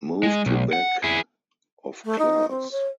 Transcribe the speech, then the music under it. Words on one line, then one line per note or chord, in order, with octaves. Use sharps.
Moved to back of class.
G#3
B1
F#5
E4 G#4
A3
D#4
C4
C#5